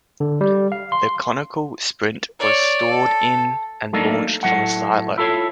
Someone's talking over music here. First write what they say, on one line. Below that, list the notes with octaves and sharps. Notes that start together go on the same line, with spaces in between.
The conical Sprint was stored in and launched from a silo.
D3
G3
F5
C6
C#5 D5
A4
F#3 A3 A#3 D4 D#4 A4
A2 F#3 A3 F#5
E4 F4 A4 C5 C#5